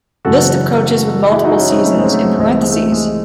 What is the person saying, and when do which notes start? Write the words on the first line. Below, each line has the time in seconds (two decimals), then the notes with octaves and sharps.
List of coaches with multiple seasons in parentheses.
0.25 F#1 F#2 C#3 E3 F#4 A4
1.32 E4 G#4
1.45 D#4 F#4
1.58 C#4 E4
1.72 C4 D#4
1.85 A3 C#4
1.98 G#3 C4
2.12 A3
2.25 G#3
2.38 C2 C3 E3 C4
2.50 A3
2.61 G#3
2.72 A3
2.92 G#3